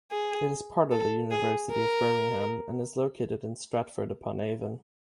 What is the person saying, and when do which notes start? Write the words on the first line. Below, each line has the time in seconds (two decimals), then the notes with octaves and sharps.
It is part of the University of Birmingham, and is located in Stratford-upon-Avon.
0.11 G#4
0.91 A4
1.31 G#4
1.72 A#4